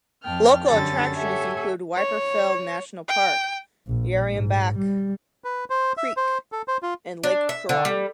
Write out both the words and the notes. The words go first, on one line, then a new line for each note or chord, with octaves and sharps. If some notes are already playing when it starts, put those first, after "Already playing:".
Local attractions include Wyperfeld National Park, Yarriambiack Creek and Lake Coorong.
F2 G5 A5 F6
F#2 D3 C#4 G4 A4 A6
G4 A4 C#5 E5 F#5 G#5
C#5
G5
A#1
G#2
G3
B4
C5
E5
C5
A4
C5
F4
D4
E5
D3
G3